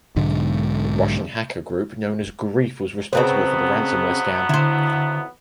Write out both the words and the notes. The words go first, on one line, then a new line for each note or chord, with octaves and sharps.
A Russian hacker group known as Grief was responsible for the ransomware scam.
B1 G#2 D3 G#3
F2 C#3 F#3 B3 C4 B4 C5
D3 E4 C5